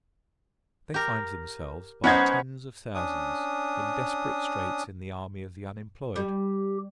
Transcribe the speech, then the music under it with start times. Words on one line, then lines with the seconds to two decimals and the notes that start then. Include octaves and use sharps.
They find themselves, by tens of thousands, in desperate straits in the army of the unemployed.
0.94 G4 A#4
2.04 B3 C#4 D#4 C5 F#5 G#6
2.95 C#4 D4 D#6
6.16 G3 G4